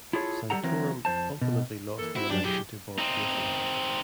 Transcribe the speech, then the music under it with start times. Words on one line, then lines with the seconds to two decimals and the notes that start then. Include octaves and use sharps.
Santorum ultimately lost the election to Bob Casey.
0.13 E4 F4 G#4 A4 C#5
0.50 G3 A3 G4 A4 F#5 A#5
0.63 E3 F#3 C4 A#4
1.05 F2 C5 A5
1.42 B2
1.98 E3 A#3 A4
2.16 C4 E4 F#4
2.30 F#2 F#3 G3 D4 G4
2.44 F#3 G#3 E4 G4
2.98 C4 D#4